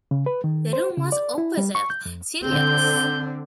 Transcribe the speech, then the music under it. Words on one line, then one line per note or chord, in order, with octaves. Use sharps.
The room was opposite Celia's.
C#3
B4
D#3
C5
C#3
D5
E4
G3
C#6
G6
F2
D3 C4 G6